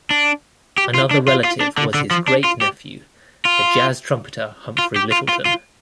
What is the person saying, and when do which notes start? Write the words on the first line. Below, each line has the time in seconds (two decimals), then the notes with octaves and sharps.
Another relative was his great-nephew, the jazz trumpeter Humphrey Lyttelton.
0.11 D4
0.78 G4
0.94 F4
1.11 D4
1.28 F4
1.44 F4
1.61 D4
1.78 D3
1.94 D3
2.11 F3
2.28 D4
2.44 F4
2.61 G4
3.45 F4
4.78 F4
4.96 G4
5.12 F4
5.29 F4
5.45 F4